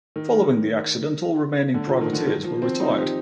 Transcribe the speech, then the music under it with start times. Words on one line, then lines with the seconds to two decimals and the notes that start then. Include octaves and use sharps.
Following the accident, all remaining Privateers were retired.
0.16 D#3
1.74 D3
1.87 F3
2.01 D#3
2.13 D3
2.27 D#3
2.44 F3
2.62 C4
2.80 D#4
2.98 G4